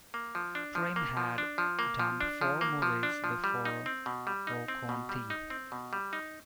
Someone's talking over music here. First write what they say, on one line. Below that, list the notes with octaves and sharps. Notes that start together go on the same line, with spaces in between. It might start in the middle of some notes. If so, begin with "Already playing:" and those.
Prem had done four movies before Woh Kaun Thi?
A#3
F3
D4
F3
A#3
F3
D4
F3
A#3
F3
D4
F3
A#3
F3
D4
F3
G3
D#4
C4
B2
G3
D#4
C4
B2
G3
D#4
C4
B2
G3
D#4